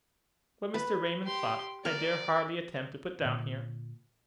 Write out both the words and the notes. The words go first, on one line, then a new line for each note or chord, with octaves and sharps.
What Mr. Raymond thought, I dare hardly attempt to put down here.
B4
G4 C6
A#4 D5
A#2 D3